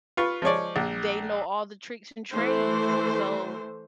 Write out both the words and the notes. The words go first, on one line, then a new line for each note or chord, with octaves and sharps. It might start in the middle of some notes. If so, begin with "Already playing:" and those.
they know all the tricks and trades, so
F4 B4 C#6
F3 G#3 C#5 D5
A#1
E3 A3 C5